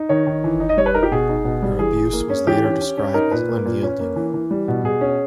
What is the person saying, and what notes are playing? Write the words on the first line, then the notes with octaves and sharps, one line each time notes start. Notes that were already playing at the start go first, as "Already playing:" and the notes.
Her abuse was later described as "unyielding".
Already playing: D#4
D#3 C#5
D#3
E3
D#4
D#5
G3 C#5
B4
D#4 A#4
G4
B2 G#4
D#4
B2
G3
E3 G#4
E3
A#3
C#4
E3 G4
C#4
C#4
C#4
D#4 A#4
A#2 B4
A#3
A#2
C#4
A#3
E3
E3
G3
B2
B2 G#4
C#4